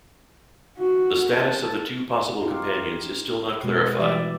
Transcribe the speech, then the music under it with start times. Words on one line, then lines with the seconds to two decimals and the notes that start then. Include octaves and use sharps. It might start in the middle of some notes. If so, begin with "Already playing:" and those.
The status of the two possible companions is still not clarified.
0.78 F#4
1.35 A5
2.40 D#4 F4 G4
3.63 B2 G#3 B3
3.99 E3 G3 G4 D5 E5